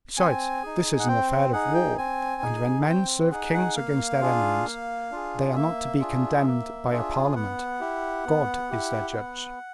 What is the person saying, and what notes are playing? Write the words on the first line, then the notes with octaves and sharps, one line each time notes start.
Besides, this is an affair of war; and when men serve kings against their enemies they are not to be condemned by a parliament--God is their judge.
C4 G#5
D#4 G#4
F#5
C4 G5
D#4 G#4 F#5
G5
C4 G#5
D#4 G#4
C4 G5
D#4 G#4 F#5
F#5
A#3 F5
D4 F4 G#4
A#3
D4 F4 G#4
A#3 E5
D4 F4 G#4
A#3
D4 F4 G#4
B3 F#5
E4 G4
B3
E4 G4
B3